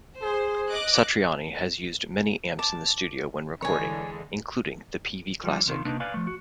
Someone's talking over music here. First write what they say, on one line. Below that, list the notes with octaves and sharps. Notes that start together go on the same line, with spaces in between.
Satriani has used many amps in the studio when recording, including the Peavey Classic.
G#4 C5
D#5 D6 F#6
A5 D6
D3 E3 G#3 C#5 G#5
F3 G3 D4
D#2 C3 D#3 F4
C3 A#3 D4 D#4 B4
B4 D5 F5 G#5
F3 A3
F#4